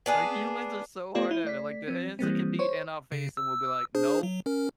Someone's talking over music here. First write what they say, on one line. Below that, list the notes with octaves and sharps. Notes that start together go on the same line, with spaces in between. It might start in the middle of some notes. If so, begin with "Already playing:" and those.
Like, humans are so hardheaded, like, the answer could be in our face, and we'll be like, "Nope."
B3 D4 G#4
A3 B3 F4 G4 D5 G5
E4
A3 D5 B6
F3 C4
E3 G3 A#3 C4
C5 C#5 C#6
C#3
E6
D4 G#4 C5
F#3
C#4 A#4